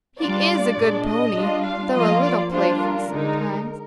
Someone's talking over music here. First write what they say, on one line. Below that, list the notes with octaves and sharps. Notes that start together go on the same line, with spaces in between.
He is a good pony, though a little playful sometimes.
G3 D4 F4 D5
A#2 G#3 D4
D#5
G3 D4 F4
F5
F3 A#3 F4 D#5
D5
G3 D4 F4 C5
A#4
D3 G#3 D#4